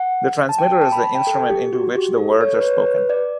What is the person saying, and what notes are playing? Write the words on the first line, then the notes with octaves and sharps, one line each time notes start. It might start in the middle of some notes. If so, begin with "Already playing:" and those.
The transmitter is the instrument into which the words are spoken.
Already playing: F#5
A5
G5
A5
B5
A5
G5
A4
G4
F#4
G4
A4
C#5
B4
C#5
B4
D5